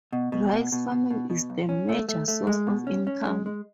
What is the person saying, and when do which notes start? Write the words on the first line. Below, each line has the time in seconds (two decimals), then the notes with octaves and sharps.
Rice farming is the major source of income.
0.13 B2
0.32 B2
0.52 B2
0.72 B2
0.92 B2
1.11 B2
1.30 B2
1.50 B1
1.69 C#4
1.89 A3
2.09 A3
2.28 A3
2.47 G#3
2.67 B2
2.87 C#4
3.07 C#4
3.26 G#3
3.46 G#3